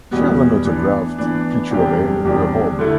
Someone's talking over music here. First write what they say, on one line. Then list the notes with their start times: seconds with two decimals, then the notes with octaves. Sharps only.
She has an autographed picture of him in her home.
0.11 E2 B2 G3 B3
0.65 E3 B3 D4
1.18 E3 B3 D4
1.71 E2 C3 G3 D4 G4
2.25 E2 C3 G3 D4 G4
2.79 D3 A3 E4 A4